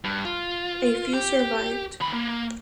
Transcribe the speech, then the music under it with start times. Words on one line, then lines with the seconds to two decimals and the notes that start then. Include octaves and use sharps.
A few survived.
0.04 G2
0.25 F4
1.14 G4
2.01 D#3 B5
2.13 A#3